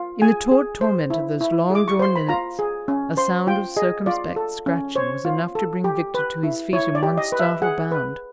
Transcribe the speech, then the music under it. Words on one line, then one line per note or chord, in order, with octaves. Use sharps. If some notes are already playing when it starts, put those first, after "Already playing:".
In the taut torment of those long-drawn minutes a sound of circumspect scratching was enough to bring Victor to his feet in one startled bound.
Already playing: F4
G#4 G#5
G#4
C5
E4
E4
G#4 D6
C#6
C5 C6
B5
F4 A#5
G#4
C#4
C5 C6
F4 G5
G#4 D#5
F4 D5
A4
C#4
C5 C#5
F4
A4
G4
B4
E4
E4 C#5
D5
G4
D#5
B4
E5
G#4 F#5
B4